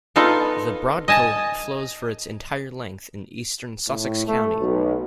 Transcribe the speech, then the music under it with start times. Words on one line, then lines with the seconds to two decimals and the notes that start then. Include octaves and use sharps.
The Broadkill flows for its entire length in eastern Sussex County.
0.16 B3 D#4 F4 A4
1.08 D#5 G#5 A5
3.89 A2
4.27 A3
4.61 B1